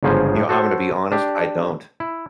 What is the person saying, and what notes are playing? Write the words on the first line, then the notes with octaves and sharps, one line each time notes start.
You know, I'm gonna be honest, I don't
G1 G#2 C#3 F3 C5 G#5
A2
F#4 A4 C5 C#5
D4 G4
E4